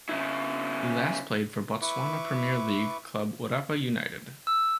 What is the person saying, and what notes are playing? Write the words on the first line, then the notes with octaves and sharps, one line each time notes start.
He last played for Botswana Premier League club Orapa United.
C#3 E4
E4 B4 C#6 D6
E6